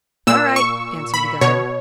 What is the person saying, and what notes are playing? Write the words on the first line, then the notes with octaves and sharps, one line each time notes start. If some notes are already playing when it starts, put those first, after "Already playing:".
"All right," answered the guard.
A#2 E6
C#6
B5
B2 C#5